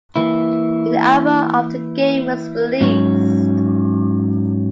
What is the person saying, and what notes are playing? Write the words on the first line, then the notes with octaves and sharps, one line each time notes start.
An alpha of the game was released.
E3 A#3 E4
G#2 F#3 C#4